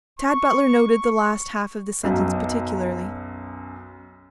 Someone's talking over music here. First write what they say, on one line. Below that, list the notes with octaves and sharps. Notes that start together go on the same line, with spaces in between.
Tad Butler noted the last half of the sentence particularly.
C#6
B1 F#2